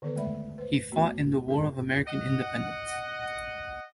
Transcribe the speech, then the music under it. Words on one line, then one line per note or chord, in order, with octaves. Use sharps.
He fought in the War of American Independence.
D3 D#3 B3 A4 B4
G#3 A3 D5 E5 B5
B4 C5
A3 B3 F#4
D4 A4 A5
D#5 F#5